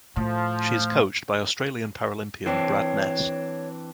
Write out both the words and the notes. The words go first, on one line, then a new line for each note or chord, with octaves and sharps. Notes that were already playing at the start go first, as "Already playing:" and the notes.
She is coached by Australian Paralympian Brad Ness.
A2 F3
E3 C4 D4 C#5